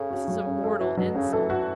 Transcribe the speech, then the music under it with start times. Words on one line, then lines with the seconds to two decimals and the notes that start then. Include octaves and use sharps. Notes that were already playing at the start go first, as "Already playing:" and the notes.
"This is a mortal insult!"
Already playing: C#3 C#4 A4
0.11 F#4
0.28 F#3
0.46 C#4
0.64 A4
0.80 E3 F#4
0.97 B2 F#3
1.15 C#3 C#4
1.33 E3 A4
1.50 F#4